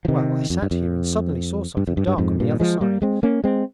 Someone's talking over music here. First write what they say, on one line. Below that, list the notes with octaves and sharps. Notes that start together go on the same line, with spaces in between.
'Well, I sat here and suddenly saw something dark on the other side.
F3
C3 D#3
F2
G2
F2
G2
F2
G2
G2
F2 G#2
G2 A#2
F3 G#3
G3 A#3
G#3 C4
A#3 C#4
G#3 C4